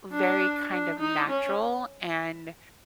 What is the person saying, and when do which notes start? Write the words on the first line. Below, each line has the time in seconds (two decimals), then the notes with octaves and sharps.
very kind of natural, and
0.12 D4
0.71 D4
1.00 D#4
1.29 C#4